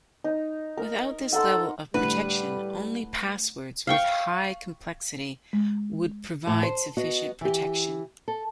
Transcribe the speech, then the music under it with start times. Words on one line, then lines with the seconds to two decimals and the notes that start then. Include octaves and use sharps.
Without this level of protection, only passwords with high complexity would provide sufficient protection.
0.24 D#4
0.77 A#4
1.33 A4 F#5 A#5 C6
1.94 A2 D3 G3 D4 B4
3.87 F5 G5 C#6
5.53 G#3
6.47 A2
6.63 C5
6.97 B3 F#4 D#5
7.41 E3 G4
8.28 A4